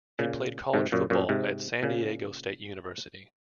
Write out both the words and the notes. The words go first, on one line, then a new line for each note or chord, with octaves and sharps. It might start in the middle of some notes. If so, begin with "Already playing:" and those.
He played college football at San Diego State University.
A#2 C#3
G#2 C3
F#2 A#2
F#2 A#2
G#2 C3
A#2 C#3